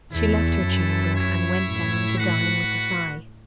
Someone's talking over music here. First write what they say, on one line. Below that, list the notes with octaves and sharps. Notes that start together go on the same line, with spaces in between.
She left her chamber and went down to dine with a sigh.
E2 A3 E4 A4
F#2
E4 C#5 E5
A2
F#4 B4 F#5